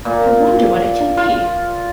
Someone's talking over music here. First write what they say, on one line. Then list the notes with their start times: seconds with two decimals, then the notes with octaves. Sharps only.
I wonder what it can be!
0.05 A#2
1.17 F4